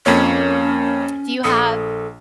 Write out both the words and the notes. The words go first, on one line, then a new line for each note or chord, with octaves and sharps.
Do you have
F2 A#3 C#4 C#5
A#1 A4 D#6